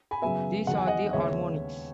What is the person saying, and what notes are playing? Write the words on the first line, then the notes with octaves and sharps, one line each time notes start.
These are the harmonics.
G#5 B5
F#2 C#3 F#3 B3 E5 G#5
E2 D#3 F#3 F#5
G#5
D#5 F#5
D#2 C#3 G#3 B3 C#5 E5